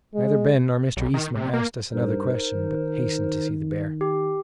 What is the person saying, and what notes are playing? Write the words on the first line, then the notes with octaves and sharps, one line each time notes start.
Neither Ben nor Mr. Eastman asked us another question, but hastened to see the bear.
G#3
B1
D#3
C3
A#3
G2 D#4 A#4 C5
D#3
G4